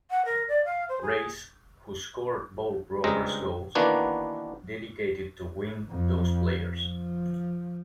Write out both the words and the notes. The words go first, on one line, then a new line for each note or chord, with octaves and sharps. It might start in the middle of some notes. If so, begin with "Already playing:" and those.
Race, who scored both Rovers goals, dedicated the win to those players.
F#5
A#4
D5
F5
C5
G#4
C#2 G2 G#3 C4 D#5 A#5
D#3 E3 A#3 B3 D4 F#4
F2
F3